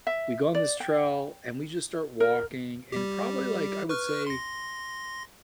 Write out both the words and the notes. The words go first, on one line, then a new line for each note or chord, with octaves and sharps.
we go on this trail and we just start walking and probably like I would say
E5
D5
G5
A#4
G3 G4
B4 C#6 F6
C6 A#6